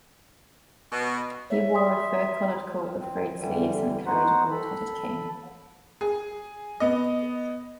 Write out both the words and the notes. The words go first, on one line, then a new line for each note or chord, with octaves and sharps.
He wore a fur-collared coat with frayed sleeves and carried a gold-headed cane.
B2
C#5 E5
C6 D#6
C4
F2 D3 E3 G3
B3 D#4 F#4 C5 F#5
A4 B5
G#4
B3 D#5